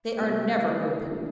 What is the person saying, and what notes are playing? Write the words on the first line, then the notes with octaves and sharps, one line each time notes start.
They are never open.
C3 G3 A#3
E3 A3 E4
E3 G3 A#3 D4